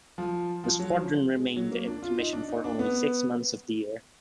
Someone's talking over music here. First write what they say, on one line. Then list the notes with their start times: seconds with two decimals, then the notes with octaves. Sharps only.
The Squadron remained in commission for only six months of the year.
0.18 F3
0.64 F3
0.79 F#3
0.95 F3
1.33 G#3
1.56 F#3
1.72 A#3
1.87 D4
2.03 F4
2.18 D#4
2.33 D4
2.49 D#4
2.64 D4
2.79 B3